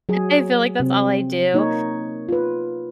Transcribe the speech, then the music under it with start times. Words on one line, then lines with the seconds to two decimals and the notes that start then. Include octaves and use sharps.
I feel like that's all I do.
0.09 F#3 G#4
0.80 C3 C4
1.54 A#3 D#4 C#5
2.29 F4 B4